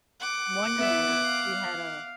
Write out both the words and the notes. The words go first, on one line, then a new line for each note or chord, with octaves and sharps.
One year we had a
F#5 D6
B3 E5
F5